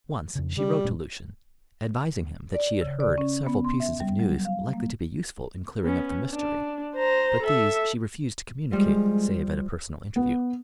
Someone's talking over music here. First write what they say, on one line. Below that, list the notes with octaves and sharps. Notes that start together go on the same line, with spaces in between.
Once she wrote to Lucian, advising him that she had heard several pieces of news likely to be useful in clearing up the mystery; but these she refused to communicate save at a personal interview.
F2 C#3
C#3 G3
A#2 G#3 C#4
D5
C#3
D5
C#4
B3
C6
E5
G3
F#3
F5
A#3
B3 C#4
D4
C5 A#5
A4 E5
F3 G3 G#3
B3